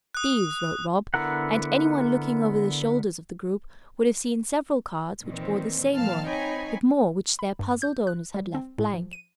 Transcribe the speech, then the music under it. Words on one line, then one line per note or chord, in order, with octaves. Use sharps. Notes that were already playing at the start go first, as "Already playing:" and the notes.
"Thieves" wrote Rob, and any one looking over the shoulders of the group would have seen several cards which bore the same word, but more which their puzzled owners had left blank.
D#6 F#6
D3 B3 E4 A#4 F#5
A#2 D#3 E3 C4
A#2 F3 C4 F5 A5 F6
C4 D#4 C#5 G5 G#5 B5
B5
G2
G6
F#6
G3
C4
A2
F3
D#7